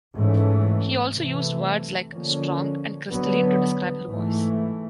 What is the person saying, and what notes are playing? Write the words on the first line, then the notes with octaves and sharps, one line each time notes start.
He also used words like "strong" and "crystalline" to describe her voice.
G#2 E3 A3 C#4
C3 E3 A3
D3 F3 A#3 C#4
D3 F#3 B3
G#2 E3 A3